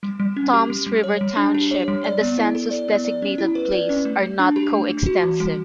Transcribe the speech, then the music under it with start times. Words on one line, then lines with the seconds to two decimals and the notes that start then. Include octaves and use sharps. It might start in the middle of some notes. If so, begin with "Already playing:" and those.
Toms River Township and the census-designated place are not co-extensive.
0.03 G3
0.20 G3
0.37 C#4
0.53 G4
0.70 G3
0.87 G3
1.04 C#5
1.21 G3
1.37 D4
1.54 G4
1.71 C#5
1.88 G3
2.04 D5
2.21 B3
2.38 E4
2.55 A4
2.71 D5
2.88 B3
3.05 D5
3.22 C#4
3.38 E4
3.55 B4
3.72 D5
3.89 C#4
4.05 A3
4.23 A3
4.39 D4
4.56 G4
4.73 A3
4.90 A3
5.06 F#4
5.23 E3
5.40 G3